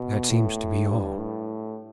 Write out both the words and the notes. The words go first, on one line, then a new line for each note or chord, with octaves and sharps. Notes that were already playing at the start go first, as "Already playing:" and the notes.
That seems to be all.
Already playing: B2
A2
G2
A2